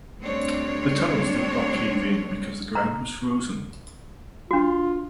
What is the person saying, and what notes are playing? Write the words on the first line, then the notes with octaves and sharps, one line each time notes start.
The tunnels did not cave in because the ground was frozen.
D2 G3 C4 D4 C#5
A#5
D4 F4 F#4